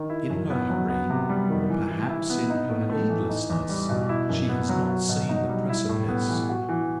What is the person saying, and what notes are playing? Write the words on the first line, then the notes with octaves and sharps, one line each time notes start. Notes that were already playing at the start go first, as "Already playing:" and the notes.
In her hurry, or perhaps in her heedlessness, she has not seen the precipice.
Already playing: D#3
E4
F#2
B3
F#3
B3
C3
G3
D#3
E3
E3
E4
B3
D#4
A2
A3
E3
D#4
E2
G3
B2
E4
F#2
B3
F#3
F#4
B2
D#4
G3
E4
A2
B3
E3
F#4
E3